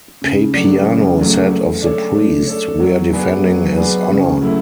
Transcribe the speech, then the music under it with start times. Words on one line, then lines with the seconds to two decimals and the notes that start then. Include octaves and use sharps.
Papiano said of the priest: We're defending his honor.
0.22 C#3
0.53 F#3 A3 D4
0.86 C#3
1.18 F#3 A3 D4
1.51 A3
1.82 D4 A4 C#5
2.15 A3
2.47 D4 A4 C#5
2.80 F#3
3.12 B3 D4 G#4 B4
3.44 F#3
3.76 B3 D4 G#4 B4
4.09 C#3
4.41 F#3 A3 E4 A4